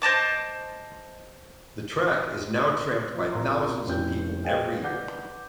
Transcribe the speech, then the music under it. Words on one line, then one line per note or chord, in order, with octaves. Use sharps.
The track is now tramped by thousands of people every year.
C5 D#5 A5 D6
F3
C2 A#2 A#3 A#5 C6
F1 G3 C#4 E4 G6
G#4 D#5 F5 G5 G#5
B4 D5 F#5 D6 G6